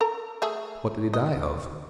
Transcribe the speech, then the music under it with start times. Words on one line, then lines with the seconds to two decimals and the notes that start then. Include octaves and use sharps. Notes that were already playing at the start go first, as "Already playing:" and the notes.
"What did he die of?"
0.01 A4 A#4 A#5
0.42 A3 G#4 E5
1.13 D#5